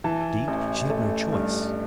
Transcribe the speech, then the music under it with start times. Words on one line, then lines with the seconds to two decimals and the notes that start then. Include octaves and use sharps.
Indeed, she had no choice.
0.04 E3 A5
0.48 A1
0.90 A3
1.32 G2